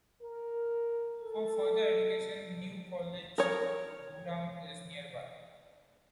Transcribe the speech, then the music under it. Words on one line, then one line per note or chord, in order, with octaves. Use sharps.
For further education, New College, Durham is nearby.
A#4
A4
A#4 C#5